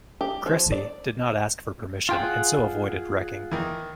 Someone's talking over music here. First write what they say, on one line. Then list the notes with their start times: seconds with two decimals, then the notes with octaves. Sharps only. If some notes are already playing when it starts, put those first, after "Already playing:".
"Cressy" did not ask for permission and so avoided wrecking.
0.21 G4
0.46 F3
0.72 D5
2.09 F4 G#4 F#5 G5 C6
3.51 D#3 E3